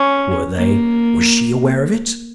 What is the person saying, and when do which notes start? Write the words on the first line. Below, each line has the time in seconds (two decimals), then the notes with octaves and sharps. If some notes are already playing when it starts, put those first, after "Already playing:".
"Were they--was she--aware of it?"
Already playing: C#4
0.56 A#3